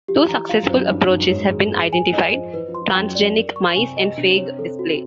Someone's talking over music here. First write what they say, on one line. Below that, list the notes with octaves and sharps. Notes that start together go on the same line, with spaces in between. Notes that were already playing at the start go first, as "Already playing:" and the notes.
Two successful approaches have been identified: transgenic mice and phage display.
F3 G4
E3 A#5
F3 F5
F#2 F#3
C5
F#2 F#3
G2 G3 D#4
F#2 F#3
D#4
F#2 F#3
G#2 G#3 C#5
G#4
G#4
G#5
D#5
F3 C5
E3 B4
F3
C6
F3
F#2 F#3 G5
D5
A#4
C#6
C3 C4 G#5
D#5
C3 C4 D4
C#5
A4
F#4